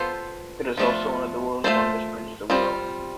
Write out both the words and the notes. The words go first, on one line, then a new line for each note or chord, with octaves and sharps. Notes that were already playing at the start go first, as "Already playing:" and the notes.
It is also one of the world's longest bridges overall.
Already playing: B3 F4 A4 C5
F3 A3 D4 F4
A3 D4 F4 A4 C5
G3 C4 F4